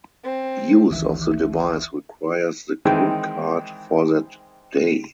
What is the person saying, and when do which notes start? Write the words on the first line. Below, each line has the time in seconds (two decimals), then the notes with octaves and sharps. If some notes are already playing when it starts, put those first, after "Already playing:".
Use of the device requires the code card for that day.
0.23 C4
0.90 G1 C#2 D#3 E3 E5
2.85 D#3 E3 G#3 C4 D#4